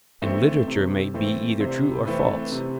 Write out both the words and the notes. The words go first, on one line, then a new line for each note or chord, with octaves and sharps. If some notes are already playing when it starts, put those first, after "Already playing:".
And literature may be either true or false?
E3 A3 C4
C3
E3 A3 C4
C3 C5
E3 A3 C4 B4
C3